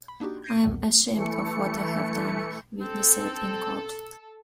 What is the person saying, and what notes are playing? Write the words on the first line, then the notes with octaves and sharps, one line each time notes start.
"I'm ashamed of what I have done", Wheatley said in court.
B5
A#3 D4 D#4 F#4 G4
G6 G#6 A#6 C7 D7 D#7
B1 E2 A#2 D#3 F#3 G3
E3 A3 C#7
C4 A4